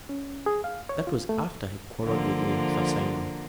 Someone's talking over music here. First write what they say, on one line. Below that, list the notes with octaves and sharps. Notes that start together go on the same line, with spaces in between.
That was after he quarrelled with you, Sir Simon.
C#4
G#4
F5
C#5
F4
A3
D3 F3 A#3